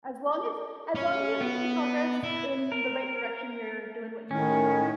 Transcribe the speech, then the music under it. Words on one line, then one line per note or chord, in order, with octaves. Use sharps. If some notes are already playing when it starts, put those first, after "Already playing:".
As long as as long as you're making progress in the right direction, you're doing what you need to do.
C#4 C#5
B3
E4
A#4
A2 D#3 C#4